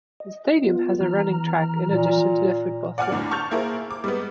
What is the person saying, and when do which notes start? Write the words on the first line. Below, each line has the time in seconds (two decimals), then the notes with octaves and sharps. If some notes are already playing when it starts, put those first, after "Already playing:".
The stadium has a running track, in addition to the football field.
0.20 D#5
0.64 B3 F4
1.01 E3 A#5 F6
1.88 A#2
2.98 D5 F#5 G#5 D6 F6
3.12 E2 A2 D3
3.31 A5 C#6 F6 G6 A6 F7
3.51 A#3 E4 G#4 A#4 C5
3.91 D6
4.04 G3 G#3 B3